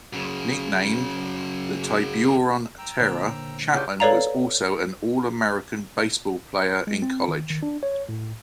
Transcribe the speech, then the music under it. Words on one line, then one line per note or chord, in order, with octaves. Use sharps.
Nicknamed the "Tiburon Terror", Chapman was also an All-American baseball player in college.
F#2 C#3
G5 A#5 E6
A#2 D3 A#3 C5 C#5
C#3 D4 E4 F4 G4 B4 C#5 F#5
A4 B4 C#5 D5 F5 A#5
G#3
C4
D#3
D#3
D4
C#5
A2